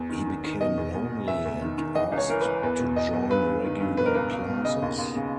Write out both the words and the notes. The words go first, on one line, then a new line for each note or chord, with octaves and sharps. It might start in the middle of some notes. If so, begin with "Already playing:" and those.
He became lonely and asked to join regular classes.
Already playing: E2
D#3
D#3
D#3
B2 D#5
E2
E2
B2
E2 E5
E2
D#3
D#3
E3 D#5
C#2
C#5
E3 A#4
B4
E3
E2 B4
B2
B2 D#5
E2
G2 B4
G2
D#3
G2
B2 B4
A#4
C#2 B4
C#2
B2
C#3 D#5
D#2
D#2
C#3